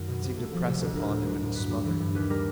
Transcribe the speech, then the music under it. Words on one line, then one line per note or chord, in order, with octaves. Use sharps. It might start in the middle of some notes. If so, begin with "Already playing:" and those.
It seemed to press upon him and to smother him.
Already playing: F#2 D#3 F#3
B2
C2
A3 A4
F3
C3 A4
D2
A2 A#4
A3 C5
F#3
A2
G2 B4
G3
E3
G2
D#2 B4
G3 A#4